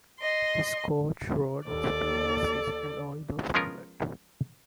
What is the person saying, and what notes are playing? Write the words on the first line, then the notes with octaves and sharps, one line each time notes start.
This coach-road still exists and although private.
D#5 C6
D#2 A4 D5
F3 G#3 B3 C#4 F4 A#4